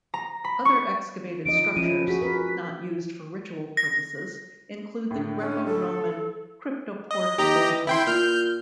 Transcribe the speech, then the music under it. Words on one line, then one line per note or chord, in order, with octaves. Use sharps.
Other excavated structures, not used for ritual purposes, include the Greco-Roman cryptoporticus.
A#5
B5
C#6
F3 D#4 D#5 D7
F3 C#4 E4 D#7
F#4 G#4 B6
A#4 B4
A#6
A2 D3
C#4
A4
D#5
D#2 G4 D#5 A#5
E3
E4 G5 C6
A#2 F6 G6